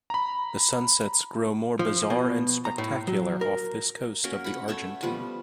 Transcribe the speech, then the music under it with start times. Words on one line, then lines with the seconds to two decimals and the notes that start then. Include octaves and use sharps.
The sunsets grow more bizarre and spectacular off this coast of the Argentine.
0.10 A#5 B5
1.79 F3
2.10 B2
2.65 A#5
2.78 A2
3.07 F#3
3.41 A#4
4.24 A#3 C#4 F#4 A#4
4.44 F#5 B5
4.68 A3 C#5 E5 F#5
5.03 F3 G3 B3